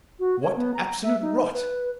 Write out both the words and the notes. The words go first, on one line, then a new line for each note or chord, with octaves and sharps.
'What absolute rot!
F#4
C#5
B3
A#5
E5
D#4
B4